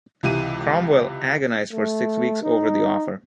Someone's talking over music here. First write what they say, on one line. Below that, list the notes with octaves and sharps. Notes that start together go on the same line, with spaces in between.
Cromwell agonised for six weeks over the offer.
C#2 C3 E3 D#7
A3
D#4